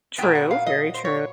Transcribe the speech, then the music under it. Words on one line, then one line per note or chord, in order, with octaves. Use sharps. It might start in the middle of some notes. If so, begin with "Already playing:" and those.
True. Very true.
A#2 F#3 B3 G5
F#5
F5
D#5
C5
C#5